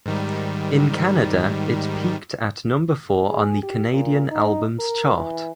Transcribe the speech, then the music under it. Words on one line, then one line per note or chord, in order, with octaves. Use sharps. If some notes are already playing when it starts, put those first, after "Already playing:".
In Canada it peaked at number four on the Canadian Albums Chart.
G#2 D#3 G3
G#4
G4
A#2
D#4
A#4
E3